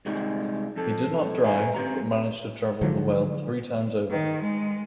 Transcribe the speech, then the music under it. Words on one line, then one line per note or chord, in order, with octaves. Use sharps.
He did not drive but managed to travel the world three times over.
C3 G3 G#3 D#4
F2 A4
B4 E5 G#5 A#5
C4 G4 A#5
D3 F3 F#3
D#3
G#3